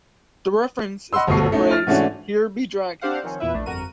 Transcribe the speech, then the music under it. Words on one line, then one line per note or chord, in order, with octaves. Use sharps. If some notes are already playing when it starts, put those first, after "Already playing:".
The reference is to the phrase "Here be dragons".
D#5 F#5 B5 C6 E6
G1 D2 B2 A4 C#6 C7
A3 C#4 D#4 E4
F6 A6
G#2 E3 A3 C#4 D4 F#4
C4 D4 G4 C5 F5 F#5
D#3 F3 C4 C#4
E2 A#2 E4 B4 E5
A#1 A3 D4
G1 F2 F#4 A#4 D#7